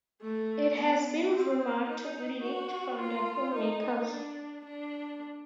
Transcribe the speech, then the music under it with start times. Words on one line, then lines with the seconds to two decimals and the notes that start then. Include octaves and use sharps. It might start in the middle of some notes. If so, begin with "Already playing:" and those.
It has been rumored to be leaked from the filmmakers.
0.22 A3
0.78 B3
1.33 C4
1.88 D#4
2.43 F#4
2.99 F4
3.55 D#4
4.10 D4
4.65 D4